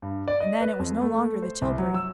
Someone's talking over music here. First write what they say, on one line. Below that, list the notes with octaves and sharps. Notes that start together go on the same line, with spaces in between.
And then, it was no longer the tilbury.
G2
D5
D#5
B4
F2
A3
C5
C2
F#3
E6